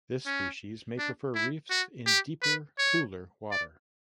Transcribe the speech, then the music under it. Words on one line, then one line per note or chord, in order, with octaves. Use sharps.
This species may prefer reefs in deeper cooler water.
C#4
D4
E4
F#4
G4
B4
C#5
D5